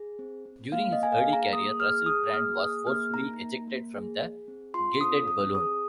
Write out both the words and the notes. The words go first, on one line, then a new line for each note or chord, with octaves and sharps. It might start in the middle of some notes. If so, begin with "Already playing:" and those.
During his early career, Russell Brand was forcefully ejected from the Gilded Balloon.
Already playing: G#4
C4
C4
A#3 F5
D#5
A#3 G#5
F5
G#4
A#5
A#3 D#6
G#4 F6
G#4 D#6
A#3 F6
G#4 D#6
A#3 F6
D#4 A#5
A#3
A#3
G#4
G#4
C4
F4 C6
C4 D#6
C4 D#6
G#4 D#6